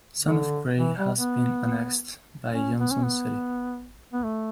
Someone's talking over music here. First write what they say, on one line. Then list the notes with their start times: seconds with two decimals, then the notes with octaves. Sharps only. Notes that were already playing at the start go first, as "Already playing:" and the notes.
Some of Gray has been annexed by Johnson City.
0.21 D3
0.78 E3
0.98 G3
1.17 B3
2.51 C#4
2.79 B3
2.91 C#4
3.03 B3
4.13 B3
4.24 A3